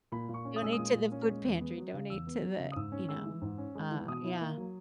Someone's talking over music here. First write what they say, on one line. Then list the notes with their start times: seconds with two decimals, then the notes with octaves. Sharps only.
"Donate to the food pantry. Donate to the" you know, uh, yeah.
0.12 A#2 B5
0.29 A#2
0.34 C#6
0.45 C#4
0.56 D#6
0.62 G#3 E6
0.73 D#6
0.78 A#2
0.94 A#2
1.12 C#4
1.27 G#3
1.45 E2
1.61 B3
1.78 F#3
1.94 C#3
2.10 E2 E6
2.27 B3
2.43 F#3
2.59 C#3
2.72 D#6
2.76 G#2 E6
2.92 C#4
3.09 G#3 E6
3.26 E3
3.42 G#2
3.58 C#4
3.75 G#3
3.91 E3
4.08 B2 D#6
4.24 E4
4.41 A#3
4.57 F#3